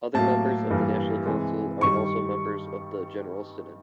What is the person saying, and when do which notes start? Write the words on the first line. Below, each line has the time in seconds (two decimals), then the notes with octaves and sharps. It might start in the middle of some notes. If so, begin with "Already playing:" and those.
Other members of the national council are also members of the general synod.
0.14 A2 F#3 A#3 A5
0.70 G2 E3 G3 A#3
1.26 C3 E3 G#3
1.81 G2 D#3 G3 C#6